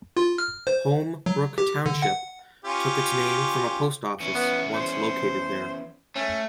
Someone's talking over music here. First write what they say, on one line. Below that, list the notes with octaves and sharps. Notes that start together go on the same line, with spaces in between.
Home Brook Township took its name from a post office once located there.
F4
F6
C5
F#3
G4
D3
F#5
C#4 F4 G4
E2 C#4
B3
C5
A3 C#4